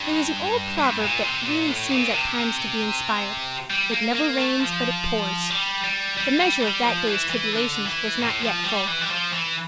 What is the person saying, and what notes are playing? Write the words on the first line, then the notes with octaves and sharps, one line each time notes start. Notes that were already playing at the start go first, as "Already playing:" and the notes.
There is an old proverb that really seems at times to be inspired . . . "it never rains but it pours." The measure of that day's tribulations was not yet full.
Already playing: G2
G2
A#2
C3
A#2
A2
A#2
C3
G3
A#3
A#3
A3
F3
G3
G3
G3
G3
G3
F3
E3
E3
D3
E3
A2
F3
G3
E3
G3
F3
E3